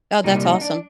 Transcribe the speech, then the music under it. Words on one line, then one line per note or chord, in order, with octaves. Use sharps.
Oh, that's awesome.
C2 A#2 G3 D#4
D#4
D4